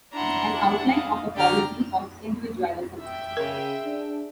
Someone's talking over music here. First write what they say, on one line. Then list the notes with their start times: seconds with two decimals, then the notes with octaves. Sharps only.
An outline of a policy of individualism.
0.13 D4 E4 F#5 A#5 C6
0.88 D#5 F5
1.35 D3 G4 D5 A#5 F6
3.01 E5 G5
3.37 C#3 G#3 A#4
3.84 D4